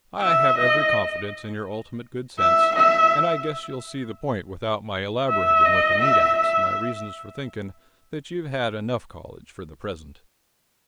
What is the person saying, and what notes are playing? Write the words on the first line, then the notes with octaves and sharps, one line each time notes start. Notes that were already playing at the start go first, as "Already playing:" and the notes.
I have every confidence in your ultimate good sense, and I guess you'll see the point without my elaborating with a meat ax my reasons for thinking that you've had enough college for the present.
E5
D#5
E5
E5
E5
D#5
E5
E5